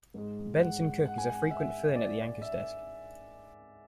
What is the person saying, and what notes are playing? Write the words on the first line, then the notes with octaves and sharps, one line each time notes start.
Benson Cook is a frequent fill-in at the anchor's desk.
G#2 G#3
F#5
F#5
G#5
F#5
E5
D5
E5